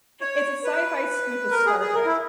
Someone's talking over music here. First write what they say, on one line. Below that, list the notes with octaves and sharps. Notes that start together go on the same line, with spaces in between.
it's a sci-fi spoof of Star Trek.
C#5
B4
A#4
G#4
G#4
A#4
E4